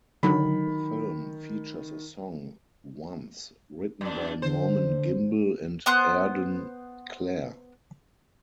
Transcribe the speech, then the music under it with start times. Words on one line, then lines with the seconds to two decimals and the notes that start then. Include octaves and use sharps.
The film features a song "Once", written by Norman Gimbel and Arden Clar.
0.23 D3 D#3 F#3 B5
4.01 F#2 D4
4.42 D3 C5
5.86 B3 C5 F#6